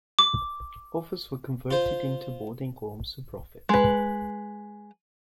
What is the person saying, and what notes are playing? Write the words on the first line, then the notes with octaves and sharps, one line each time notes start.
Others were converted into boarding homes for profit.
D6
F4 C5
G#3 B4